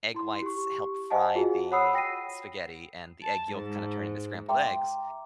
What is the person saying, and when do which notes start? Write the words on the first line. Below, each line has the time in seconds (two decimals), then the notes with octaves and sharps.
egg whites help fry the spaghetti and the egg yolk kinda turn into scrambled eggs.
0.14 E4 C6
0.42 G4 C#6
1.10 C5 D#5 F5 F#5 G#5 A5
1.35 F4 F#4 G#4
1.71 C#5 F#5 B5 D#6 E6 C7
1.94 G5 A#6 C7 D#7
3.23 A5
3.53 G#2
4.49 E5 G5 A#5 C6 D6